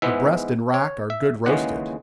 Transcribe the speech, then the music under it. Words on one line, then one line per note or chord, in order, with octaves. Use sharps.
The breast and rack are good roasted.
G#2 E3 G#3 B3 E5
C#5
E5
D#2 C#3 E3 G#3 F#5